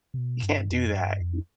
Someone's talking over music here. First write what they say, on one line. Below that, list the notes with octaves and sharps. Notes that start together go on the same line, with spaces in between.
You can't do that. Y
C3
B2
G2
F2
F#2
G2
F2